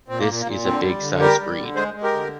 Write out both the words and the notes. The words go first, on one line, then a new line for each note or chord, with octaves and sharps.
This is a big size breed.
A#2 C4
A#3
A#2
A#3
A#2
D3 C4
G3
D3
G3 G4 A#4
G3
D3
G#3 G#4 C5
G#3
G4 A#4
D3